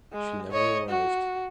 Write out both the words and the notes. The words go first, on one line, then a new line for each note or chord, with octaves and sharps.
She never arrived.
G#3
C#5 D#5
F#4